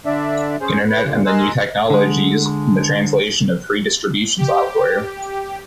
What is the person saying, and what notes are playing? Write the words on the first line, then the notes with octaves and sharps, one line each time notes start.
Internet and the new technologies, from the translation of free distribution software.
D3 D4 D5 E5
C#4 G#4 C5
B4
E2 A#2 D3
A#4 D#5 G#5 C6 E6 F#6
D3 G#3
G4